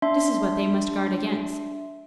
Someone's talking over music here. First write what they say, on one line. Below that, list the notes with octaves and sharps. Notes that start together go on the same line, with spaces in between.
This is what they must guard against.
D4 E5 C6